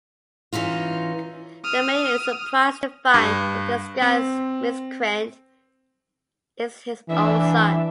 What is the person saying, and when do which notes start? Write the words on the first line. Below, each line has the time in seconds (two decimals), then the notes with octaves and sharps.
The Mayor is surprised to find that the disguised miscreant is his own son.
0.53 E3 C#4 D#4 F4
1.64 D#6 F6
3.14 G2
4.02 C4
7.09 E3 D4 E5